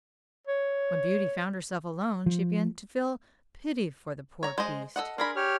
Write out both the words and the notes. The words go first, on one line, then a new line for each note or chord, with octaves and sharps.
When Beauty found herself alone, she began to feel pity for the poor beast.
C#5
F3
C#5 A#5
G#3 C5 D#5
A4 D#5 F#5
D4 G#4 A#4 B5 C6
G4 C#5 F6